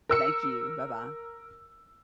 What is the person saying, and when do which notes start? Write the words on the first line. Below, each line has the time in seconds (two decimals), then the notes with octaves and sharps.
Thank you. Bye-bye.
0.09 A#4 E6 C#7